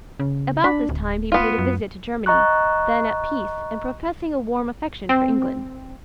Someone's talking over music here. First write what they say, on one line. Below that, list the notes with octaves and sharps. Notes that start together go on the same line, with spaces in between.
About this time he paid a visit to Germany, then at peace and professing a warm affection for England.
C#3
D4 B5
D1
B3 F4
F#2
D#5 A#5 C#6 F#6
C4